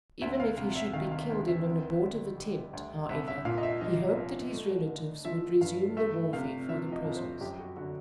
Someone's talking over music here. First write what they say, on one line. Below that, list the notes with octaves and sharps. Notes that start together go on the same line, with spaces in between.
Even if he should be killed in an abortive attempt, however, he hoped that his relatives would resume the warfare for the prisoners.
D2 E5
F5
C3 F5
E5
D#3 F5
F5
D2 F5
E5
C4
D3
G3
D2
C2 E5
E5
A#2 F5
D#5
E5
F3 D#5
C2
A3
D3
F3 E5
G2 F5
A3 E5
C3 F5
F3 E5
D#5
F2
C5
F#2 G4
F#4
D3 F#4